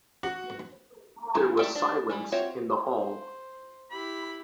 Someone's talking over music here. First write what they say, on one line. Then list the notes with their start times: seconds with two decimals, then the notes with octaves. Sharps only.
There was silence in the hall.
0.23 F#4
1.34 D#3 E3
1.59 A3 A4 D5 E5 G5
1.75 D4
2.09 E3 G3 B5
2.32 C4 F4 F#4 C#5 E5
2.93 C5
3.91 E4 G4 B5